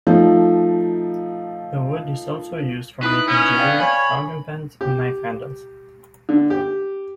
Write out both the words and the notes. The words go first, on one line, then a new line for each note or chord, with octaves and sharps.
The wood is also used for making jewelery, fountain pens and knife handles.
F3 A3 D#4
D#4 E4 B4 D#6
B3 C#4
D5 F5 G5
C#5 G#5 B5
G4
D3
G4